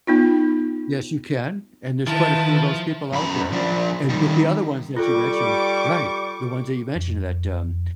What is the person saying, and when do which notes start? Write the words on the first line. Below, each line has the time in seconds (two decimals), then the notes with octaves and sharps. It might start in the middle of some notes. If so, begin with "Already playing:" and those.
Yes, you can. And there's quite a few of those people out there. And, but the other ones that you mentioned Right, the ones that you mentioned that, um,
0.07 B3 D#4 F4
2.07 D#3 F3 E4 F4 B4 A5
3.13 F#2 B5
3.52 F3 D4
4.09 D#3 G3
4.97 G3 F4 A4 C#6 D6
6.95 F2